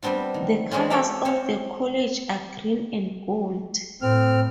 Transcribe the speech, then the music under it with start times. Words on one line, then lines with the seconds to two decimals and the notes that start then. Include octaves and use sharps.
The colours of the college are green and gold.
0.03 G3 B3 C4 D4 F4
0.34 D#3
0.71 E3 G3 G#3 C4 C#4 F4
0.90 F#4 A4 C5 D5 E5 F5
1.25 C4 C#4 C#5 F5
4.02 A2 C4 F6